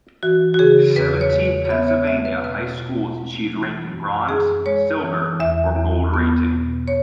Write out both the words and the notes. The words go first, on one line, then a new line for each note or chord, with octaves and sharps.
Seventy Pennsylvania high schools achieved ranking bronze, silver or gold rating.
E3 F#4
F#4
C#3 G#4
E2 B4
C#5
G#3
C#5
C#5
B3 E5
C#5
G#3 E5
B4
B2 B4
B2
G#3
E3
F#2
F#2 G#4
G#3 C#5
E3
E2 E5
E2
B3
B2
C#5